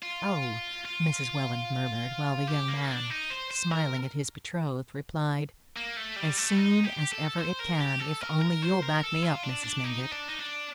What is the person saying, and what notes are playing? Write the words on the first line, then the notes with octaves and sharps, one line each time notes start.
"Oh--" Mrs. Welland murmured, while the young man, smiling at his betrothed, replied: "As soon as ever it can, if only you'll back me up, Mrs. Mingott."
F4
F4
G4
A#3
D#4
D4
D#4
C5
C5
A#4
A#3
A3
G3
A3
D#4
G4
A4
C5
A#4
G4
A4
A#4
A#4
C5
A#4
A4
F4
D4
D4
D#4
D4
D#4
D4